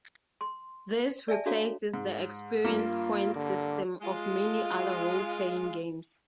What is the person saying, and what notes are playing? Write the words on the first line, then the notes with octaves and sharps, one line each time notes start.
This replaces the experience points system of many other role-playing games.
C6
D5 E5 G#5 A5
D4 F#4 A4 C#5 F5 A#5
G#2
G2 A#3 F4
D3
G#3 F4